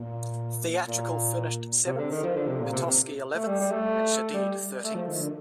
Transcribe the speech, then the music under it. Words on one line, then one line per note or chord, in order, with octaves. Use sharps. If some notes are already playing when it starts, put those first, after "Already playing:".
Theatrical finished seventh, Petoski eleventh and Shadeed thirteenth.
Already playing: A#2
A#2
C3
D3
D#3
F3
D3
C3
A#2
C3
A3
G3
G3
A3
G3
A3
F3
D#3
D3